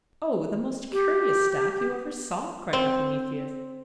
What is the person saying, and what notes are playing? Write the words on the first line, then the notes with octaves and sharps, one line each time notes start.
"Oh, the most curious staff you ever saw!" cried Epimetheus.
G4
C4